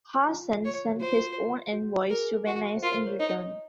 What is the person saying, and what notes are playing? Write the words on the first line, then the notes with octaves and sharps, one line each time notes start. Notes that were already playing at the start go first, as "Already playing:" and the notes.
Hassan sent his own envoys to Venice in return.
F4
C#5
F#4
F4 C5
F#4
G#4 A#4
F#4
C5
F4 A#4
C5
C#5
D#4 D#5